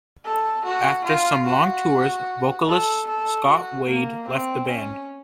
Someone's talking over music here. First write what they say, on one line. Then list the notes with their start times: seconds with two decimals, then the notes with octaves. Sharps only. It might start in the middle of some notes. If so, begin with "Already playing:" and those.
After some long tours, vocalist Scott Wade left the band.
0.24 A4
0.64 F#4
1.04 F4
1.46 F#4
2.67 A4
3.07 A4
3.46 F#4
3.87 A#3
4.27 C4
4.68 C#4